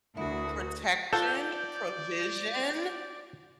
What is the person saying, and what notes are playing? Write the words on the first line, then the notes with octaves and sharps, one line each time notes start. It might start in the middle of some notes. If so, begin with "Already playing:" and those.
Protection, provision
D2 E4 F#4 A#4 D#6
F3 F4 A4 D5 F#5 G6